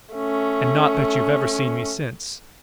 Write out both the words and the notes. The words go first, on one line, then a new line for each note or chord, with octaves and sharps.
"And not that you've ever seen me since?"
A3 C#4